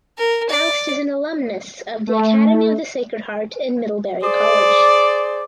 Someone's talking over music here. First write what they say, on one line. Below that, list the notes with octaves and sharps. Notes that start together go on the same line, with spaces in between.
Faust is an alumnus of the Academy of the Sacred Heart and Middlebury College.
A#4
D5
A3
G#4 C5 D5